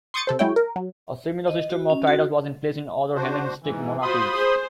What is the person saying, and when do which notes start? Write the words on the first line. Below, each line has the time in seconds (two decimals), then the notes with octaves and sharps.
A similar system of titles was in place in other Hellenistic monarchies.
0.14 C6 C#6 D#6 G6 A6 C#7
0.27 C3 A4 C5
0.39 F#3 G#3 E4 C#5 G5
0.56 A#4
0.76 F#3
1.48 D#5
1.70 F#4
1.90 C#4
2.07 F#4
3.15 D4 F#4 C5
3.62 G#2 E3
4.02 F4 F#4 C5 B5 C6 D#6
4.34 G#4 C5